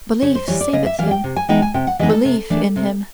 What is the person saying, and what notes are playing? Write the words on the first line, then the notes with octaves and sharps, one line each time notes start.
Belief saveth him; belief in him.
C#3 C#5
C5
E3 G3 C#5
D5
C#3 D#5
E5
E3 G3 F5
G5
C3
G#5
E3 G#3 B3 D#4 G5
G#5
C3 G5
F#5
E3 G#3 B3 D#4 D#5
A4
C3
E3 A3 D4
C3